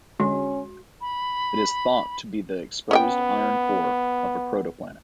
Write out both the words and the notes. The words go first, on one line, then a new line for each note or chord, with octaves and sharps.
It is thought to be the exposed iron core of a protoplanet.
D3 G#3 C#4 F#4
B5
B3 C#4 D#5 G5